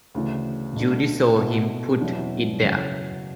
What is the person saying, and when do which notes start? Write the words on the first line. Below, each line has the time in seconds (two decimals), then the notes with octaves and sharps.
Judy saw him put it there.
0.14 D2 C#3 E3
0.76 B2 A3 D4
1.39 B2 A3 E4
2.01 E2 B2 F#3 C#4 E4
2.63 F#2 C#3 F#3 C#4 E4